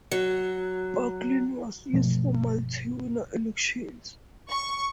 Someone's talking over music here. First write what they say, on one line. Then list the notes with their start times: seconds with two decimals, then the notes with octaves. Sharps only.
Bucklin was used for multiwinner elections.
0.11 F#3
1.93 G1 B2 F3 A3
4.50 C#6